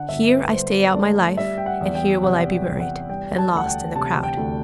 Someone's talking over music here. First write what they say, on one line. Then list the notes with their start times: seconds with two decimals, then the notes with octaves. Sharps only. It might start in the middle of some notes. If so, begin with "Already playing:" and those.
Here I stay out my life; and here will I be buried, and lost in the crowd.'
Already playing: D3 F#5
0.09 G1 E5
0.30 B4
0.52 G2 C5
0.94 A3 D5
1.37 G3 E5
1.58 G5
1.66 F#5
1.81 E2
1.95 G5
2.23 C3 F#5
2.52 F#5
2.66 E2
2.80 F#5
3.09 G3 G5
3.38 A5
3.52 D2
3.57 F#5
3.66 G5
3.96 C3 A5
4.23 G5
4.37 D2